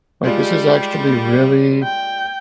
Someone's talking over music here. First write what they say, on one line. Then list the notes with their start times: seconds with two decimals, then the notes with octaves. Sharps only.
like, "This is actually really,
0.24 G3 G#3 F4 D5
1.84 G5